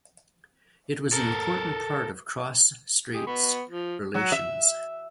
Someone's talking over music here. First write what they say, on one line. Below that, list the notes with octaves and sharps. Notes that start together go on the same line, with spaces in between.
It was an important part of cross-straits relations.
A4 A#4
G#3 G4 G#4
B3 B5 C#6
F3
F#3
E5